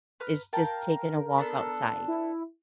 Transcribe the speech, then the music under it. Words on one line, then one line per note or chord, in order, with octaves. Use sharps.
is just taking a walk outside.
B4 A#5 F6
A#4 F5 G5 A5
B3 D4 A4
E4